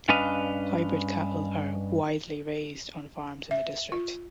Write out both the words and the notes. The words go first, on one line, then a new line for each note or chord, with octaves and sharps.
Hybrid cattle are widely raised on farms in the district.
G2 C#4 D4 B4 D#5 F5
E5
F4